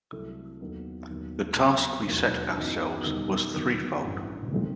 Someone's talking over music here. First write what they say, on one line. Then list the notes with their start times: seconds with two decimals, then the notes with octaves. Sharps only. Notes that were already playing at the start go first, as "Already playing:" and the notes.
The task we set ourselves was threefold.
0.12 C2 C3 F#3 A3 E4
0.61 D#2 D#3 F#3 B3
1.09 D#2 D#3 F#3 B3
1.58 E2 C3 F#3 C4
2.07 E1 D#2 D#3 F#3
2.56 F#2 E3 B3 D#4 F#4
3.05 E1 E2 D#3 G3 D#4
3.54 E2 D#3 F#3 B3
4.03 A1 G2 E3
4.53 D#3 A3 C4